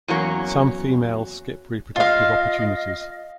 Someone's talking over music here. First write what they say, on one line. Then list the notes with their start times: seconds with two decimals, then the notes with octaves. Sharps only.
Some females skip reproductive opportunities.
0.08 E2 F#3 A#3 C#4
1.96 F4 D#5 F5